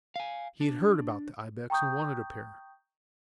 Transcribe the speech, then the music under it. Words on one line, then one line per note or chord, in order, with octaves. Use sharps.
He had heard about the ibex and wanted a pair.
F5 G#5
D4
G5 A#5 C#6 D#6 G6